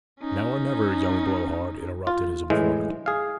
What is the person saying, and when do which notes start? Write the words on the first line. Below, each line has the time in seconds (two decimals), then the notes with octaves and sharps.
'Now or never, young blow-hard,' interrupted his informant.
0.20 C#4 D#4
2.07 F4
2.50 A2 E3 G#3
3.06 G#4 F5